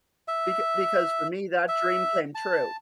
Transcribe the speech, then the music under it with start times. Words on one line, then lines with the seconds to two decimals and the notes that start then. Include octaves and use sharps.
beca because for me that dream came true.
0.28 E5
1.68 E5
2.35 A5